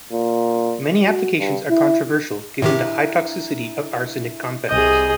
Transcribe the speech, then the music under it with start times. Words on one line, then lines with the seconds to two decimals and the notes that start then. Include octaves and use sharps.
Many applications are controversial given the high toxicity of arsenic compounds.
0.12 A#2
1.06 F#4
1.39 G2
1.70 E4
2.62 A2 D#3 D4 E4 G4 E5
4.69 C2 G#4 D#5 G6